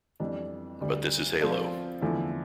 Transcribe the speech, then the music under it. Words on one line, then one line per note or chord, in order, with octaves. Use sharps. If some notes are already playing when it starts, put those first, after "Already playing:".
But this is Halo.
F2 E3 G3 D4
D2 D3 G3
F3 C4 F4 A4 D5
E2 D3 F3 A3 E4